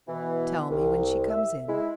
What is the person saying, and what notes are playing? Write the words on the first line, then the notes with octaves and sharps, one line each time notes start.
"Tell me when she comes in--."
B2 E3
C2
E5
G#3 E4